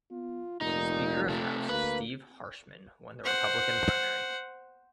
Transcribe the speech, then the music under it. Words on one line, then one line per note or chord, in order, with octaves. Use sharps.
Speaker of House Steve Harshman won the Republican primary.
B3 F4
F1 A#2 D#4
C3 A3
D2 A#3 B4
C5 F#5